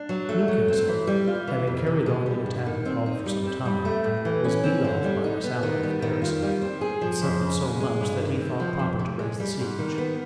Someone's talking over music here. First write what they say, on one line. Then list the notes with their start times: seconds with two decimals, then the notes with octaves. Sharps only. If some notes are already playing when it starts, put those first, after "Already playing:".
Newcastle, having carried on the attack of Hull for some time, was beat off by a sally of the garrison, and suffered so much that he thought proper to raise the siege.
Already playing: D4
0.09 F#3
0.29 A3
0.48 F#3
0.68 C4
0.88 E3
1.07 G3
1.27 F4
1.47 E3
1.67 F2
1.86 C3
2.06 G#3
2.26 G3
2.46 G2
2.66 D#3
2.85 C4
3.06 D#4
3.26 G3
3.45 C4
3.66 G3
3.85 A3
4.04 A2
4.25 E3
4.44 C#4
4.64 C4
4.84 D3
5.04 G3
5.24 D#4
5.44 B3
5.63 D#3
5.83 G3
6.02 D#3
6.22 F4
6.42 G3
6.62 C4
6.81 G#4
7.01 F3
7.21 F2
7.41 C#3
7.61 G#3
7.80 G#3
8.01 G2
8.21 D#3
8.40 C4
8.60 F3
8.79 F2
8.99 C3
9.19 G#3
9.40 G3
9.59 G#2
9.79 D#3
9.98 B3